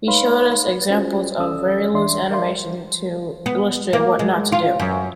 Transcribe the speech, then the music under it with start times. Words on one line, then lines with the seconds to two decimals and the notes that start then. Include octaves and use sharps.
He showed us examples of very loose animation to illustrate what not to do.
0.07 D#4 B4 C#5 F5 B5 C6
0.90 C#4 F4 F#4 G#4 C5
1.39 C#2 C#4 A4 D5 D#6 E6
1.94 E2 E3 D4 D5 E5 C6
2.30 A#4 D5 E5 F5 C6
3.46 B3
3.93 A#3
4.19 G#3
4.52 F4
4.80 F#2